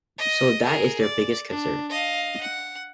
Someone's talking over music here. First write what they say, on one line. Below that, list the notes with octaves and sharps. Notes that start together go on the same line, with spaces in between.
So that is their biggest concern.
D#5
G#4 A#4
D5
D4
D#5 F5
F#5